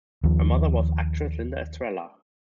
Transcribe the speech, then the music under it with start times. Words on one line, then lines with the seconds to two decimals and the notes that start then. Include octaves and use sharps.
Her mother was actress Linda Estrella.
0.24 D#2 F3